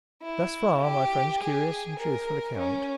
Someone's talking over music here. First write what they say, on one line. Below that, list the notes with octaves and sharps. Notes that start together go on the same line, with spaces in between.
Thus far my friend's curious and truthful account.
E4
G4
G#4
A#4
C#4